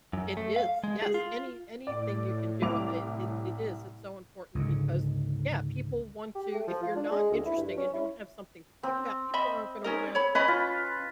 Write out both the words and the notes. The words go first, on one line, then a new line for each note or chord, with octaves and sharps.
It is, yes. Any anything you can do, I it it is, it's so important because, yeah, people want to if you're not interesting and you don't have something to talk about, people aren't gonna wanna
F#2
A3
F5
G#3
G#4
F4
A2 D5
C2 D6 F7
C#2 G#2 D3
G4
A3
F3
F4
D4
G#3
D2
E4
G2
C#4
E4
C4
D#5 E5 B5
C#4 D#4 A#4
C#5 B5
C#4 B4 D#5 B5
F4